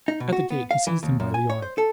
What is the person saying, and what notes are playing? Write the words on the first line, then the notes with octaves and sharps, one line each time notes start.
At the gate, he seized him by the arm.
D#4
B2
F#4
B3
F5
E3
D#2
F#2
G#5
C#5
C5
A4